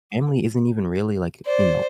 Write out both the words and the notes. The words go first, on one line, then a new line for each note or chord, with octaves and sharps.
family isn't even really like, you know,
C5 D5